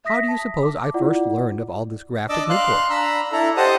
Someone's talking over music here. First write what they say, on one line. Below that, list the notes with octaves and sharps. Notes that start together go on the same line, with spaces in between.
How do you suppose I first learned of all this graft at Newport?
E5 D#6 A#6 B6
A5
D6
E4 F4 D5 F#5
D4 D5 D#5 D6 E6
F5 C6 F#6
D4 A#5 B5 E6
D4 E4 A4 A#5
G4 C5 D#5 F#5 A5 D#6